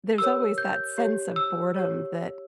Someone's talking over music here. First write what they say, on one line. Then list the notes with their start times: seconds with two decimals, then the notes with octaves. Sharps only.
there's always that sense of boredom that,
0.18 G4 A#4 C#5 E6
0.58 G6
0.98 G4 C#5
1.36 E6
1.76 G4 C#5